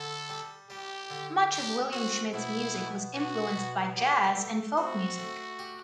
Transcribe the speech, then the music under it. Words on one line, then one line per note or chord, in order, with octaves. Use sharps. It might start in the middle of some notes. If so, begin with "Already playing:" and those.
Much of William Schmidt's music was influenced by jazz and folk music.
Already playing: D3 A4
G3
G3 G4
D3
G3 G4
C4 F#4
B2 E4
B2
B2 F#4
B2
B2 G4
A3
C4 F#4
A3
G4